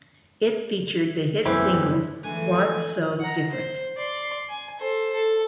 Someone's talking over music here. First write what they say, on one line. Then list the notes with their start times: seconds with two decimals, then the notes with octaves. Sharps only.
It featured the hit singles What's So Different?
1.46 C2 F#2 E3 A3 B3 C4 E4 G4
1.73 G2 C#3 F3
2.23 D3 E3 G#3 A3 G#5
3.20 F#5 A#5
3.50 C5
3.97 D5 C6
4.50 G#5
4.80 A4 C5
5.13 A4